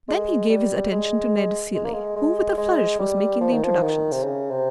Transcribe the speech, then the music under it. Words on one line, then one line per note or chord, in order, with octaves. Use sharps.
Then he gave his attention to Ned Cilley, who with a flourish was making the introductions.
G#3
G3
G#3
G#3
A#3
G#3
G#3
G#3
G3
F3
D#3
F3
D#3
C3
C#3
C3